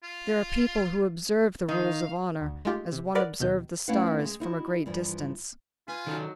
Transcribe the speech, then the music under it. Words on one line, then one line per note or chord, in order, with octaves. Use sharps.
"There are people who observe the rules of honor as one observes the stars, from a great distance."
F4
D#3 D#4 F5
D2
G#3 A3 D#4 F4 G4
C3
A#4 B4 D5 F#5
D#2 B2 D#3 G6
A3 C#4 E4 B4 F5 F#5
G#3
D#4 E4 F#4
G2 E3 F3
F4 B4 G#5
D#3 F#3 D#4 A4 A#4